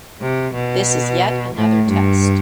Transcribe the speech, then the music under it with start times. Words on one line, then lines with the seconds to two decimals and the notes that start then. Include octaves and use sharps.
This is yet another test.
0.21 C3
0.54 B2
1.55 A2
1.89 G2